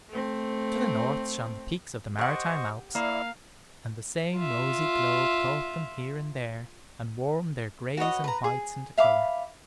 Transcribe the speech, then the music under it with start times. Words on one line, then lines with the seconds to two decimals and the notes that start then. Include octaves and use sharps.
To the north shone the peaks of the maritime Alps, and the same rosy glow caught them here and there, and warmed their grays and whites into color.
0.11 A3 C4
2.19 G4 C5 D#5 F#5 C#6
2.95 A#3 E4 D5 E5 F5
4.35 F4 E5
7.97 F#4 B4 C#5 D#5
8.24 B4 A#5
8.44 G#4
8.98 E5 F5 B5 D6